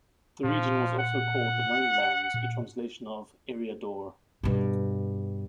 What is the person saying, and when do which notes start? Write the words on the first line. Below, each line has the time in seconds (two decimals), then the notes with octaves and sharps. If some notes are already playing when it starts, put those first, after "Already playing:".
The region was also called the Lone-lands, a translation of "Eriador".
0.44 A#2 F3
0.99 F#5
2.34 A#2
4.43 G2 B2